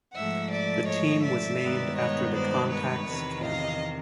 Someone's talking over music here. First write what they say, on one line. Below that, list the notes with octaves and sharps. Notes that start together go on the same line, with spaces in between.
The team was named after the "Contax" camera.
G#2 F3 A3 E5 F#5
D5 E5
C#5 D#5
D5 E5
G2 D#3 G#3 B3
C#5 D#5
C5 D5
B4 C#5
E2 C3 D#3
D#5 F5